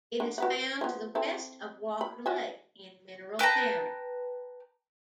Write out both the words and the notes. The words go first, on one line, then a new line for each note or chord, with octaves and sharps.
It is found to the west of Walker Lake in Mineral County.
D3
F#4 B4 F#5
F3 B3
C4 E4 A4
B5
F#4 E5 G#5
B4 G5 A5 A#5